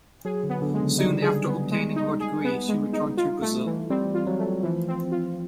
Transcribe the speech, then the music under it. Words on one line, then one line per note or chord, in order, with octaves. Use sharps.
Soon after obtaining her degree, she returned to Brazil.
F#3 G#4
D3
B3
D3
G#3
C#3
G3 D#4
G#4
B3
G#3
D#4
G#4
B3
G#3
D#4
F4
A3
E3
G3 C4
F4
F#3
A3
E3 F3
C4
F4